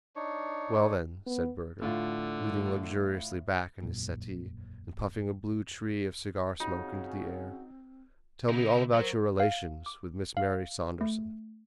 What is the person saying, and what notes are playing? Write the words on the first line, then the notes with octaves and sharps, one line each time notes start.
"Well, then," said Burger, leaning luxuriously back in his settee, and puffing a blue tree of cigar-smoke into the air, "tell me all about your relations with Miss Mary Saunderson."
D4 D#4 C#5
B3
A2 D3 F4
E1 A#1 F#2 A#2
C#3 C4 C#4 D#4 F4 F#4
C#3 D#4 E4
F#3 A#4 C5
F5
D6
F5
A3